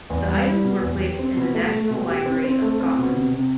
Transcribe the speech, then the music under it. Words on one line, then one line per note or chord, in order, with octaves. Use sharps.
The items were placed in the National Library of Scotland.
E2
G3
G3
B2
E2
G4
C4
B2
A3
A3
B2
G4
C4
C4
A3
C4
B2
C3
C3